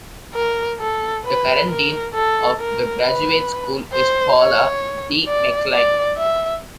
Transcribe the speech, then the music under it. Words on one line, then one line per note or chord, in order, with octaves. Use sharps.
The current dean of The Graduate School is Paula D. McClain.
A#4
A4
B4
A#4
A4
A#4
B4
C5
C#5
D5
D5
E5